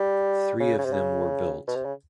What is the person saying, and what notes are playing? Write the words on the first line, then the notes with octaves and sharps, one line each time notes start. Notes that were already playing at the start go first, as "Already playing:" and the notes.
Three of them were built.
Already playing: G3
C#3
C#3
C3
C#3
B2
C3
C#3